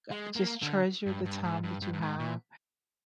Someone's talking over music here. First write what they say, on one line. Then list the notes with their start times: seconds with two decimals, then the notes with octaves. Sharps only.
...g just treasure the time that you have
0.11 G#3
0.36 A#3
0.62 D3
1.06 G2
1.26 G2
1.44 G#2
1.64 G2
1.82 G2
1.93 G2
2.01 G#2
2.20 A#2